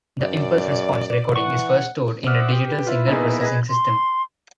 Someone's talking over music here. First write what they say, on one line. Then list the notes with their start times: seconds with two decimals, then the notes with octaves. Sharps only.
The impulse-response recording is first stored in a digital signal-processing system.
0.22 F#2 D5
1.36 E3 F#5 C#6
2.27 C5 D5 E5 F#5 D#6 F6
2.52 G4
2.67 B4
2.87 E4 F4
3.07 A#1 A#3 B3 D#4 E4 G#4
3.41 G#4 B4 D#5 G#5 G#6
3.70 C6